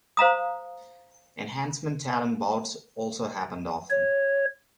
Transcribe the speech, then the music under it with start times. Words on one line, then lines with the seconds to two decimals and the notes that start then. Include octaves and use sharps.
"Enhancement talent" bouts also happened often.
0.17 C5 F5 A#5 D#6
3.90 C#5